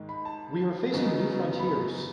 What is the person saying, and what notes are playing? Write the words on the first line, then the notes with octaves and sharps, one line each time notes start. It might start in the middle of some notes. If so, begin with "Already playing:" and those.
We are facing new frontiers.
Already playing: G#2 D#3 G#3
B5
A5
F#2 C#3 F#3 B3 D#4
B5